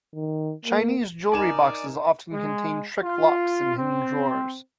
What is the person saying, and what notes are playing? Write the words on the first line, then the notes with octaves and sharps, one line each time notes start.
Chinese jewelry boxes often contain trick locks and hidden drawers.
D#3
A#3
D#4 A#4 D5 G#5 E7
G#3
F4
C4